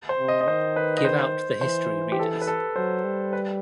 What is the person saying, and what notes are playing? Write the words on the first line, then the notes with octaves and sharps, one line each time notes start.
Give out the history readers.
C5
C3
D#5
D#5
D#3 C5
B4
D#5
C5
E3 C5
G4
A4
B4
A4
F#3 C5
G3
B4